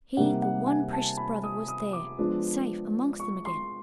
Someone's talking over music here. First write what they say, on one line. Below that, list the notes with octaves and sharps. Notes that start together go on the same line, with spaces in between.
He, the one precious brother, was there, safe, amongst them again!
C3 D#3 G3 A#3 F#5
F#5
G#5
A5
B5
D#6
D#6
D6
F3 G#3 B3 D4
C#6
C6